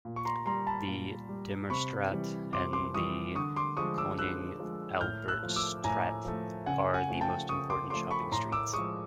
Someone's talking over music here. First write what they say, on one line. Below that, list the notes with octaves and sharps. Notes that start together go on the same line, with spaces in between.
The Demerstraat and the Koning Albertstraat are the most important shopping streets.
A#2
C#6
A#5 C6
G3 A#5 C6
A5 B5
A#2
G3
C3 B5 C#6
E3 G3
C3 C6 D6
C6 D6
E3 G3 C#6 D#6
D3 C#6 D#6
C6 D6
F3 G#3 C#6 D#6
D6 E6
D3 E6 F#6
F3 G#3
A2 F6 G6
E6 F#6
F3 A3
D6 E6
A2 G#5 A#5
F3 A3
C#3 F#5 G#5
F#5 G#5
F3 A3
G5 A5
C#3 C#6 D#6
C6 D6
F3 A3 C6 D6
B5 C#6
A2 A#5 C6
D6 E6
F3 G#3 C#6 D#6